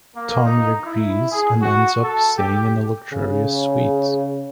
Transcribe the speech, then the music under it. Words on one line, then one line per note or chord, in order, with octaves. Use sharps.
Tommy agrees and ends up staying in a luxurious suite.
A#3
D#4
E4
G#4
F#4
A4
G4
C#3